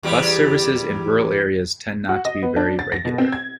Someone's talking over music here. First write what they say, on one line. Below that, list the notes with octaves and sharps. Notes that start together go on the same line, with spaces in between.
Bus services in rural areas tend not to be very regular.
E2 G3 G4
F#4
D#5
B3
D4
A6
A#6
B2
C4
G#6